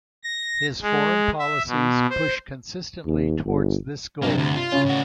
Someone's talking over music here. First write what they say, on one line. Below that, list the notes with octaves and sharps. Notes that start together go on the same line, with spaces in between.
His foreign policies pushed consistently towards this goal.
A#6
G#3
E5
B2
C5
D#2
G1
G2 C3 F#3 A#3
D2
F4
C#3 C#4
A2 F#4